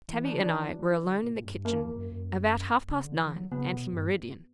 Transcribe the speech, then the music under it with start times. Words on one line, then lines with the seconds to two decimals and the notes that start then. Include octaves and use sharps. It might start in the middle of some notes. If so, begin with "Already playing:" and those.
Tabby and I were alone in the kitchen, about half-past nine ante-meridian.
0.08 E3
0.25 D4
0.35 D3
0.40 E3 D4
0.76 F#3
0.89 E3
1.02 D3
1.23 A#2
1.35 A#2
1.44 G2
1.55 G2
1.64 F#2 A#3
1.80 E2
1.96 F#2
2.12 F#2
2.90 C#3
3.05 D3
3.21 E3
3.36 F#3
3.51 C#3 B3
3.72 B2
3.93 G2